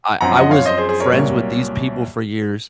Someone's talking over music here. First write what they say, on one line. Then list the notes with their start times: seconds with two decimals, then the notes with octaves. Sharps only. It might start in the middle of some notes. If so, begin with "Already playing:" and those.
I I was friends with these people for years
0.21 F#2 F3 C4 F#5 A#5
0.36 D#5 F#5
0.51 C#5 F5
0.66 C5 D#5
0.78 G#4 C5
0.89 G#4 C5
1.00 A#4 C#5
1.12 C2 A#2 F#3